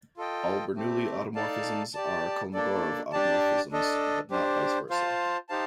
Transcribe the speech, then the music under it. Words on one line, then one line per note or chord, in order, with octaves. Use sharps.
All Bernoulli automorphisms are Kolmogorov automorphisms but not "vice versa".
F4 A4 D#5 G5
A3 C4 G4
D#4 A4 D5 F5 A5
G4 D5 A5
A#3 D4 A4 D5
D4 G4 D5 A5
D4 A4 D#5
D4 G4 C5
F4 C5 F5 A5
D#4 G4 C5 F5 A5